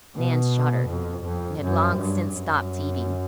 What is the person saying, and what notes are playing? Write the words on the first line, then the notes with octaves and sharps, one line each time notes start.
Nan shuddered, and had long since stopped eating.
B2
F2
F2
F#2
G2
F#2